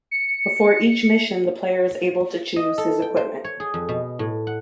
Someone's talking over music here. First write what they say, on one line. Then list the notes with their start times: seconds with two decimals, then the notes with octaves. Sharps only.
Before each mission the player is able to choose his equipment.
0.11 C#7
2.56 D#5
2.78 A4
3.02 G5
3.17 C5
3.44 C#5
3.60 G#4
3.74 F2
3.89 B2
4.19 A2
4.47 F#5